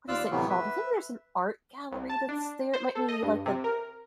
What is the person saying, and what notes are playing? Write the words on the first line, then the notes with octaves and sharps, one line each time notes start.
what is it called? I think there's an art gallery that's there, it might be, like, the
D#2 F4 D5 F5 E6 F#6
A2 C3 E3 F#3 A3 B3
B4 E5
C2
A5
D4
C5
A4
D#5
G2
C3
A#4